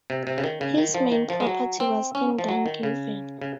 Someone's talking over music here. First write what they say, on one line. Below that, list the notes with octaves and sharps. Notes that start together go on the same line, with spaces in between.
His main property was in Dungiven.
C3
C3
C#3
D#3
C#3
D#3
F3
D#3
F3
G#3
F#3
C4
C#4
F3
F#3
D#3
C#3
C#3